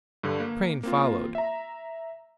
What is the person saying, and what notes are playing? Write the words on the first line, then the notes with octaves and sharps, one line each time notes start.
Crane followed.
G2 D3
A#3
A#3 C4 F4
E5 A#5